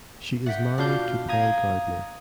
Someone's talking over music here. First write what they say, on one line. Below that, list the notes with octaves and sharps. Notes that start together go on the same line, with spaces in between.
She is married to Paul Gardner.
E5 F#5 G5 B6
B2 D4 F4 F#4 F5 D6 G6
F5 A#5 D#6 G#6